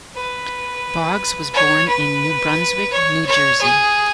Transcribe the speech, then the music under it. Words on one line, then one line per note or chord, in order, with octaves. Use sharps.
Boggs was born in New Brunswick, New Jersey.
B4
C#5
B4
C#5
C#5
G#4